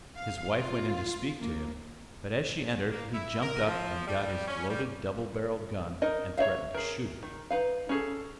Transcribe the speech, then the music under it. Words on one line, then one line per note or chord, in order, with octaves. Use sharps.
His wife went in to speak to him, but as she entered he jumped up and got his loaded double barrelled gun and threatened to shoot her.
F5
F4
A#3
A#3
E4
A#4
F3
G3
C#4
G3
D#4 A#4 D#5
C#5 D5 E5 F5
G#4 A#4
D#3
D#4 B4 F5
C#4 G#4 A4